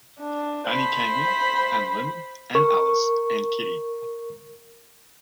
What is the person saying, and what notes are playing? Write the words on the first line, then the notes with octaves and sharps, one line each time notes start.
Annie came in, and Leonard, and Alice, and Kitty.
D4
C5 B5
A#4 C#6